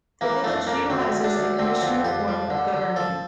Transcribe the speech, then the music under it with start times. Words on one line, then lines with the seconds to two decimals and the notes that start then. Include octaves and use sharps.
The village utilizes a commissioner form of government.
0.21 E3 A#3
0.44 F2 A3
0.67 F2 A#3
0.90 D2 C4
1.13 D2
1.24 D4
1.36 D2
1.59 D3 C4
1.82 F2 C4
2.04 F2 G4
2.28 F3
2.50 D3
2.74 D3
2.96 F3 A4